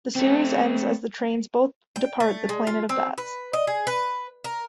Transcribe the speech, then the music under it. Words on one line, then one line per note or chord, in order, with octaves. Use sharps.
The series ends as the trains both depart the Planet of Bats.
A3 C4
G5
A3
G#3
F4
C4
B4
D#5
G#4
B4
A#4